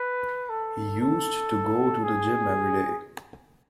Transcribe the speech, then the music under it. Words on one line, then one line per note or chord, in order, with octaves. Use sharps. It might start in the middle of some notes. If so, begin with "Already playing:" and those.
He used to go to the gym every day.
Already playing: B4
A4
A4
G#4